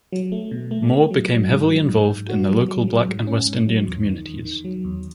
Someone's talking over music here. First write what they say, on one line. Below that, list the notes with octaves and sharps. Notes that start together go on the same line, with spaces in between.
Moore became heavily involved in the local Black and West Indian communities.
F#3
A3
B2
A3
A3
F#3
F#3
G#2
F#3
G#2
G#2
F#4
F#3
F#3
F#3
G#2
C#4
G#2
F#3
E2
D#3
E2
D#3
F#3
E2